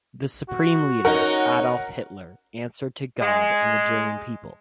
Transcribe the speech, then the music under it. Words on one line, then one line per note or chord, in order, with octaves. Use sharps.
The supreme leader, Adolf Hitler, answered to God and the German people.
F#4
C#4 D#4 A#4 F#5
G#3